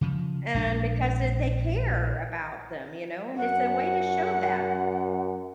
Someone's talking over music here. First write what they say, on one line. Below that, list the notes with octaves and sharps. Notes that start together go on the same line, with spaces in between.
and because it they care about them, you know, and it's a way to show that.
C#3 F3
A#1 G#3 D4
F#2 F#5